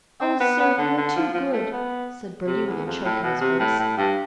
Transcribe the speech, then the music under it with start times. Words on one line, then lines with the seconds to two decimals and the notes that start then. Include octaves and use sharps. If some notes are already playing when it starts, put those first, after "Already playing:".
"Oh, sir, you are too good," said Bertie with a choke in his voice.
0.21 C4
0.40 B3
0.59 B3
0.77 D3
0.97 D3
1.16 F3
1.34 F3
1.53 A3
1.72 B3
2.47 C3
2.66 E2
2.85 F2
3.04 A2
3.23 B2
3.41 C3
3.59 A2
3.79 A2
3.97 G2